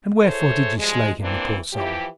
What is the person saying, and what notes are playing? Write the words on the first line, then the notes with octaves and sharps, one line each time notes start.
And wherefore did ye slay him, the poor soul?
E4 G#4 A4 C5 C#5
F3 G3 G#3
E3 A#3 C4 D4 E4
E3 F3 E4 G4